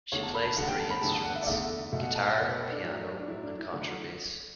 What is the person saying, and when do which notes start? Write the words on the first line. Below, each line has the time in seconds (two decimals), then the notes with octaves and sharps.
She plays three instruments; guitar, piano and contrabass.
0.12 E2 D3 A3 C#5
0.23 A5
0.35 B5
0.45 A5
0.56 E2 D3 A3 F#5
0.68 G5
0.80 A5
0.90 B5
1.01 E2 D3 A3 A5
1.13 A5
1.24 F#5
1.35 E5
1.42 D5
1.47 E2 D3 A3 E5
1.92 B2 A3 E5
2.03 F#5
2.15 A5
2.26 G5
2.38 B2 A3 F#5
2.48 B4
2.60 A4
2.72 D4
2.83 A2 F#3 A3
3.19 D4
3.28 A2 F#3 A3 E4
3.43 D4
3.58 E4
3.73 D3 F#3 A3 F#4